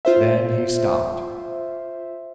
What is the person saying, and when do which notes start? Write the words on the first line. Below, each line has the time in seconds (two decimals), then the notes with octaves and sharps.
Then he stopped.
0.05 F4 C5 E5